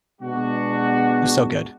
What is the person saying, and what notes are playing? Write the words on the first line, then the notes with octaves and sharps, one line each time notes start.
It was so good.
B2 G#3 D4 F#4